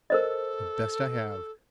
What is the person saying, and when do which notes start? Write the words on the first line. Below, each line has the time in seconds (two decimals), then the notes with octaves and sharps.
"The best I have."
0.10 A4 A#4 C5 D#5